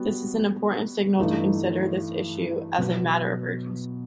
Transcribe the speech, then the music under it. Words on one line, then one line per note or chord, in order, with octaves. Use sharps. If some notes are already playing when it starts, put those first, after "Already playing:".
This is an important signal to consider this issue as a matter of urgency.
Already playing: G3 B3 F#4
G2 E3 A3 D#4
B2 F#3 B3